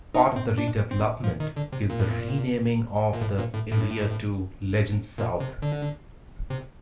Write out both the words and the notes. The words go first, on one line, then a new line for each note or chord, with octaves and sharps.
Part of the redevelopment is the renaming of the area to "Legends South".
D#4
C4
D4
C4
F3
D#3
D3
C3
A#2
A2
A#2
A#2
A2
A#2
A2
A2
A#2
C3
D3
C3